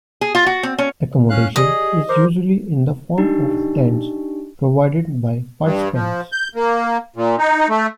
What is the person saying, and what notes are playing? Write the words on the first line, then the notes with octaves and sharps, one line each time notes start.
Accommodation is usually in the form of tents provided by participants.
G#4
F4
F#4
C4
C#4
C#4 F5 F#6
F4 G4 G#4 D5 D#5
A#4 C5 D6
D4 D#4 G4
G2
F3
G6
A#3
A#2
D#4
A3